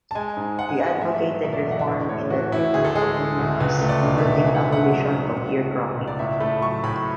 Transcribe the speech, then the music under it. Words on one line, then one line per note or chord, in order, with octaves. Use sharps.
He advocated reform in the treatment of criminals, including abolition of ear cropping.
A5
G#3 G#5
G#2
G#3 F#5
G#5
G#2 F#5
A3 E5
F#3
B2 E5
D5
E5
E2 F#5
E5
A2 D5
A3 C#5
E3 F#4
A2 E4
D2 G#4
A4
G#3 G#4
D3
D2
C#2 B4
A3
D5
B2
E5
C#2
G#2 G#5
F#5
E5
A3 F#5
F#3
G#2
C#2
A3
B2
C#2
D5
A2 E5
A3 B5
F#3 C#6
A2 B5